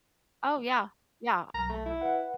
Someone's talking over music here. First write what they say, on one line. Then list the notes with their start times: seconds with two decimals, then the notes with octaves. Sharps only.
Oh yeah, yeah.
1.54 B1 A#5
1.69 A3
1.86 E4
2.01 B4 F#5